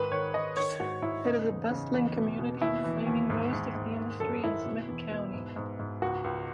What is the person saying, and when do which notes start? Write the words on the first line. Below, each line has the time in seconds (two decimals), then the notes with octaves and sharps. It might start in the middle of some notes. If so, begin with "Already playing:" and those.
It is a bustling community, claiming most of the industry in Smith County.
Already playing: G#2 D#3 B4
0.12 D#3 C#5
0.34 D#3 D#5
0.57 D#3 C#5
0.80 G#2 F#4
1.02 G#2 E4
1.25 C#3 D#4
1.48 E2
1.71 C#3
1.94 E2
2.16 B2
2.39 B2
2.61 D#2 E4
2.84 E3
3.06 D#2
3.30 G#2
3.52 G#2
3.75 G#2
3.98 D#3
4.20 F#2 A4
4.43 D#3 E4
4.66 B2
4.88 E2
5.11 B2
5.34 G#2
5.56 G#2
5.79 G#2
6.02 C#2 F#4
6.24 C#2